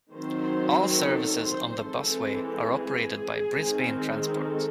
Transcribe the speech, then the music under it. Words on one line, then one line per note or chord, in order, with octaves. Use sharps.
All services on the busway are operated by Brisbane Transport.
D#3 F#3 C4 C5
A4
C5
E3 G#3 C4 A4
G#4
D#3 G#3 C4
A4